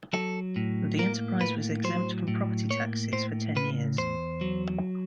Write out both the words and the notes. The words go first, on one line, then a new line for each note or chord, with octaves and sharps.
The enterprise was exempt from property taxes for ten years.
F#3 A4
A2
A#3 A#4
A2 B4
F#3 C5
A2
A#3 C#5
A2 C5
C#3 B4
E2 C5
F#3